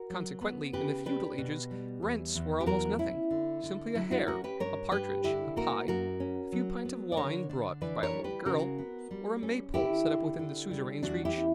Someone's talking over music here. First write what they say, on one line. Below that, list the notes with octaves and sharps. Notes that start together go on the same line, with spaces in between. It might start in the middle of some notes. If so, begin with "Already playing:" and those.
Consequently, in the feudal ages, rents were almost nothing,--simply a hare, a partridge, a pie, a few pints of wine brought by a little girl, or a Maypole set up within the suzerain's reach.
Already playing: F#4 A#4
F#3
B3
C#3 G4 B4
D4 G4 B4
B2
G3
E2
E2
G4
F#3 F#4 A#4
C#4 E4
D3
D3
F#3 E4
D4 F#4
C#4 F#4 A#4
G4 B4
G2 A#4 C#5
G2 G4 B4
D3 E4 G4
A#3 F#4 A#4
F#2 F#4 A#4
C#4
F#3
B3
D5
D3 A#4 C#5
D4
E3 B4 D5
A#4 C#5
G3
G4 B4
C#3 F#4 A#4
B3
G3
C#4
D3 E4 G4
D3
D3
G3
E2 D4 F#4
E4 G4
C#4